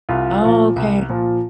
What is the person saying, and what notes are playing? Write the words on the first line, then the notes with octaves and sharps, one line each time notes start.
Oh, okay.
C2 F4
A#2 F3
C2
A#2 F3